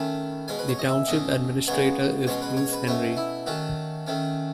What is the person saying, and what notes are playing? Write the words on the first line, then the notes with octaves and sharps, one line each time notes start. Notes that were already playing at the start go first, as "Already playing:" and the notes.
The township administrator is Bruce Henry.
Already playing: D#3 A3 C#4 B5
B2 G#3 C#4 G#5
B4
C#5
D#5
E5
B2 A3 C#4 D#5
C#3 G#3 B3 C#5
B2 G#3 C#4 C#5
B4
C#5
B4
B2 A3 C#4 C#5
E4
D#3 A3 C#4 F#4
D#3 A3 C#4